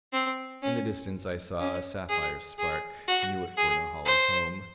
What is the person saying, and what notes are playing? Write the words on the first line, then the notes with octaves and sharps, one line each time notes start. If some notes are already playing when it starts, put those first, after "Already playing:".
In the distance I saw a sapphire spark; knew it for Norhala's home.
C4
C#4
C#4
G#4
G#4
F#4
G#4
C5